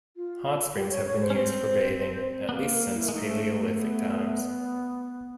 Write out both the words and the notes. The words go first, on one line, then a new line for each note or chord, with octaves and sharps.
Hot springs have been used for bathing at least since Paleolithic times.
F4
G4
C#5
C#5
C5
C#4
C4 C5
B3
A#3 B4
A#4
E4
G#3
A3 D#4
C#4
B3
B3